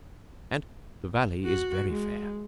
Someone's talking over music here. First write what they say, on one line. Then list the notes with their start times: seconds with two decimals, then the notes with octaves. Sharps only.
And the valley is very fair.
1.45 F#4
1.89 G#3